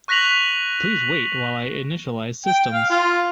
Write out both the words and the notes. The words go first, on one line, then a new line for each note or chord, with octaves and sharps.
Please wait while I initialize systems!
C#6 F#6 A#6 B6 F7 F#7
G5
F5
F4